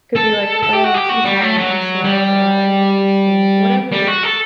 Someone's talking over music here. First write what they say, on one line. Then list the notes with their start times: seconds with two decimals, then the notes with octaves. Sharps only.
could be like, "Oh, I'm tired. I'm sore. Uh, I didn't get enough sleep." Whatever it is,
0.15 A4
0.63 A4
0.73 G4
0.84 F#4
0.94 G4
1.09 F#4
1.25 G3
1.41 A3
1.57 F#3
2.04 G3
3.92 G3
4.08 F#4
4.24 A4